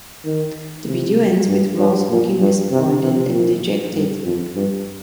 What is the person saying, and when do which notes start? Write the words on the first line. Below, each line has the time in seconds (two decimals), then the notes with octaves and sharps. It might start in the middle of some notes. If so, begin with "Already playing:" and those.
The video ends with Ross looking disappointed and dejected.
0.25 D#3
0.87 C3
1.48 G2
1.78 G2
2.09 A#2
2.40 G2
2.71 C3
3.01 C3
3.31 A#2
3.94 G2
4.24 F2
4.55 G2